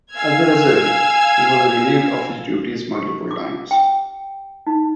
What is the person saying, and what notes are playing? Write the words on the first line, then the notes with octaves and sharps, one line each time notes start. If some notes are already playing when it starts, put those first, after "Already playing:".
As a result, he was relieved of his duties multiple times.
F5 G#5 E6 F6 G#6
G4
D6
G5
D#4